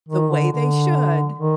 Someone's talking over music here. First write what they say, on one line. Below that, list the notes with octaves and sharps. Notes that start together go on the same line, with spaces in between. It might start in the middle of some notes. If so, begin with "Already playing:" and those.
"the way they should,
D#3
D3
D3
D#3